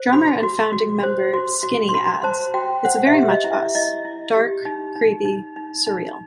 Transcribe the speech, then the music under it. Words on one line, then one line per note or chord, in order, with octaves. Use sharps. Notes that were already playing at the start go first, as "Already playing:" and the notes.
Drummer and founding member Skinny adds, It's very much us: dark, creepy, surreal.
Already playing: C5
F#4 B5
F#4
F#4
C5
F#4
F#4
C6
F#4 B5
C5 A5
F#4 G5
C5 F#5
E5
G4
D#5
E4
E5
E4 D#5
E4
G4
D#4
D#4
D#4
D#4
D#4